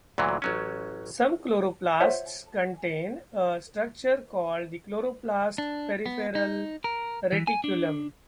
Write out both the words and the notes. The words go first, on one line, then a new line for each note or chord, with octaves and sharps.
Some chloroplasts contain a structure called the chloroplast peripheral reticulum.
D2 A#2 E3 F#3
A1 F#3 C#4
F4 C5 C#5 E5 F#5
D4
B3
D#4
A#4
E3
G#5
D4